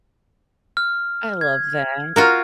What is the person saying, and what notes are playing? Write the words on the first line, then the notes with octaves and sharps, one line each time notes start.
I love that.
F6
G#6
F4 F#4 A#4